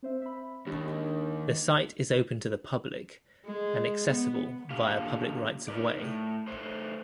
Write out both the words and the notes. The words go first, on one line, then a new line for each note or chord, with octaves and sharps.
The site is open to the public and accessible via public rights of way.
C4 C5 E5
E5 B5
D#2 G#3 D4 G4
G#3
B3
A#2 D3 A#3 G4 F5
D#4 A#4 B4 D5
A2
A3 B4 C5